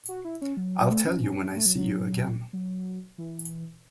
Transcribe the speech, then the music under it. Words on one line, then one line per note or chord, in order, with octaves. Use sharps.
I'll tell you when I see you again.
F#4
E4
C#4
F#3
F#3
A3
C#4
C#4
A3
F#3
F#3
F#3
E3